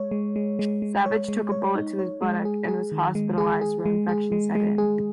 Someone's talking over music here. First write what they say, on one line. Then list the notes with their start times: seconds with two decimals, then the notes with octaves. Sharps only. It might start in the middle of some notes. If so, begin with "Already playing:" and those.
Savage took a bullet to his buttock and was hospitalized where infection set in.
Already playing: G#3 C#5
0.11 G#3
0.36 G#3
0.59 G#3
0.82 G#3
1.06 C#5
1.28 G#3
1.52 C#5
1.75 D#4
1.99 C#5
2.22 G#3
2.45 G#4
2.68 G#4
2.92 D#3
3.15 G#3
3.38 G#4
3.61 G#4
3.86 G#3
4.09 G#4
4.32 G#3
4.55 G#3
4.78 G#4